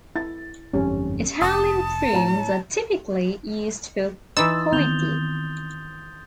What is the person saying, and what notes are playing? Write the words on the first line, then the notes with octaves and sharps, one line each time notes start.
Italian prunes are typically used for powidl.
E4 A6
G1 F2 G#2 C#4 G4
F1 A5 D#6
A2 C#5 A#5
E3 D#4 C6 D#6 E6 A6
D#3 B3 C4 G6 F7 G7